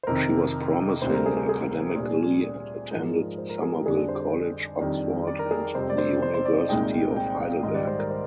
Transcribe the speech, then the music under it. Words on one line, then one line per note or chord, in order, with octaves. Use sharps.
She was promising academically and attended Somerville College, Oxford and the University of Heidelberg.
C5
F2 C3 D#3 A#4
D2 C3 G3 C5
A#4
G#4
G#4
G#4
A#2 G3 D4
G#2 F3 G#3 A#4
C5
A#4
G#4
G4
F2 D3 G3 D4 G#4
G#4
C5
D5
F2 D#3 G3 D4
D5
A#4
G#4
F2 C3 G3 C5
D5
C5
C5
C5
D5
D#5
C2 A#2 G#3 D#4 G5
G5
G5
F5
G#2 D#3 G3 D#5
D5
C5
A#4
C5